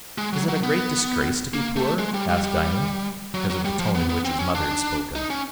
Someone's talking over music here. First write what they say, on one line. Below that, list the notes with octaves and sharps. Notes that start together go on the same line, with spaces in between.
"Is it a great disgrace to be poor?" asked Diamond, because of the tone in which his mother had spoken.
G#3
F#3
F#3
B3
A#3
A3
G#3
G3
G3
G3
F#3
F#3
G3
F3
B3
B3
C4
C#4
D4
D#4
C#4